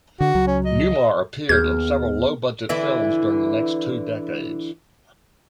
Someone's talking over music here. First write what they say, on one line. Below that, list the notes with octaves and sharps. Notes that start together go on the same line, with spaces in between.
Newmar appeared in several low-budget films during the next two decades.
D3 F#4
C#2 F#3
C#4
D#5
D#2 B3 G#4 F6 G6 G#6
D3 E3 E4